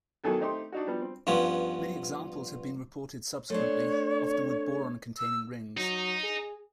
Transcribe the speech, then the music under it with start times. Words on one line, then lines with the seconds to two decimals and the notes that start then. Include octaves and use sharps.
Many examples have been reported subsequently, often with boron-containing rings.
0.24 E2 D#3 F#3 A4 G#5
0.40 A3 C4 D#4 G4 C6
0.72 D4 D#4 F#4
0.87 F3 G3 B3
1.02 C4
1.27 G2 F3 B3 C#4
3.50 A3 C4 D4 C#5
5.18 E6
5.77 F#3 D#4
6.24 G#4